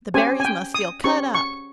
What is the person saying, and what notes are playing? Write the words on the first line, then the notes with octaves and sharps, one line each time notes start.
The Barrys must feel cut up.
C#4 G4 C5 G#5
G#5
G5
D#6
C#4 G4 C5 C#6
C#6